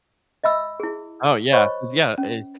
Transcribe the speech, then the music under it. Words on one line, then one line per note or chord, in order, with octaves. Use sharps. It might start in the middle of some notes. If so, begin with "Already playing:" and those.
Oh, yeah, is yeah, i
D#5 E5 B5 E6
E4 G#4
C5 C#5 D#5 B5 C#6
C#4